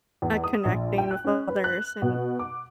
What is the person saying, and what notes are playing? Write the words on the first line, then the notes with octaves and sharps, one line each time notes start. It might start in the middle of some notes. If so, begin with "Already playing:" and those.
at connecting with others and
E2
D#6
A#1
G5
F#6
C#4
B4
F#6
B2
D6